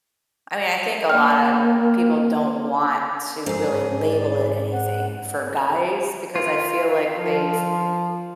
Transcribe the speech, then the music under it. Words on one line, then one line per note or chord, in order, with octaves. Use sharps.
I mean, I think a lotta people don't want to really label it anything for guys because I feel like they've,
A#3 G5 F6
G#2 G#4 A4
D5
F#5
F4
F3